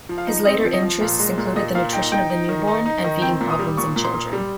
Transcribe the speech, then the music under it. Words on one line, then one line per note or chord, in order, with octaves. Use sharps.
His later interests included the nutrition of the newborn and feeding problems in children.
F3
F5
D#4
C4 D#5
F3
D#5
F3
A#2 F5
G#3
A#2
A#2 D#5
A#2 F5
D#4 G5
D#4 G5
D#4
D#3
D#4
D#4
D#3
C4 G5
A#2
D#6
G3
A#2 C#6
A#2
C6
A#2
G3